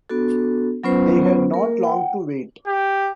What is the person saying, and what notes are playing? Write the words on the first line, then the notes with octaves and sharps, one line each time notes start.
They had not long to wait.
B3 D4 F#4 A4
F#3 B3 C#4 F4 B4 C5
A#3 A#4
F#5 G5
G4